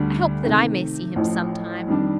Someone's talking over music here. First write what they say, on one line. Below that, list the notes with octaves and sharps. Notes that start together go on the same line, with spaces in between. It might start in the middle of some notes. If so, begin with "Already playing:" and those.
I hope that I may see him sometime.
Already playing: D2 D3 G3 D4
C3 D#3 A3
A1 A2 F3
F2 D#3 G3 D4